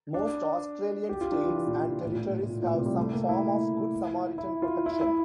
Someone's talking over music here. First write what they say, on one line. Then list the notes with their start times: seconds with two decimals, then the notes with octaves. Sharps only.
Most Australian states and territories have some form of good Samaritan protection.
0.14 D4
1.09 G4
1.21 F4
1.32 D4
1.44 E3
1.56 E3
1.67 A#2
1.91 A#2
2.03 A2
2.15 A#2
2.27 A#2
2.39 A2
2.50 A#2
2.62 A#2
2.74 C3
2.86 G3
2.97 A3
3.14 A#3
3.29 E4
4.38 E4
4.62 F4
4.86 E4
5.01 E4